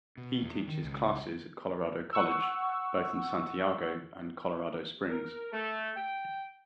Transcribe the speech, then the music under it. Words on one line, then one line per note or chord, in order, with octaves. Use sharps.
He teaches classes at Colorado College both in Santiago, and Colorado Springs.
B2
E2
D#3
C#2
F#5 C#6 E6
A#4
A3
G5